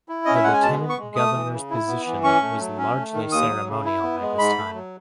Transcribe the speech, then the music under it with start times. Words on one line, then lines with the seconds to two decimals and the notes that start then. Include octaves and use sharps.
The lieutenant governor's position was largely ceremonial by this time.
0.09 E4
0.25 C#4 D#5
0.35 E5
0.44 G#3 F#5
0.53 G#5
0.62 B2 A5
0.81 B3
0.90 C#6
0.99 G#3
1.16 A3 D#6
1.34 E3
1.52 C#3
1.70 E4
1.87 B3
2.06 E3
2.24 C#4 C#6
2.42 A3
2.59 F#3
2.78 C#4
2.96 A3
3.13 D#3
3.32 D#2 D#6
3.49 F#3
3.67 C#3
3.85 E4
4.03 B3
4.20 G#3
4.38 G#2 B5
4.57 A3
4.74 F#3